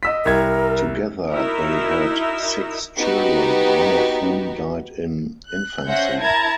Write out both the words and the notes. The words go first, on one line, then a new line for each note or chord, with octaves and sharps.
Together they had six children, one of whom died in infancy.
D#5 E6 B6
C2 A#4 G#6
D#4 E4 F#4 A#4 D#5 E5
B3 D#4 F#4 G4
F#6
C#4 C5 E5 F#5 G6 A#6
E4 A#4 A5 A#5 G#6